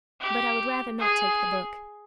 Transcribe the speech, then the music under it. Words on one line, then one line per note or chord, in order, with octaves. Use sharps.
But I would rather not take the book.
G4
G#4